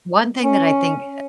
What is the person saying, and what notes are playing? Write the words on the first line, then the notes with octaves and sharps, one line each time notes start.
one thing that I think,
C#4